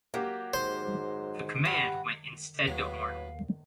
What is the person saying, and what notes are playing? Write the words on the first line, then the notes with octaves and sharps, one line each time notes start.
The command went instead to Horne.
F#3 A#3 G4
G#2 C5
G2 F#4 B4
D#2 A2 F#3 G#3 B4 F5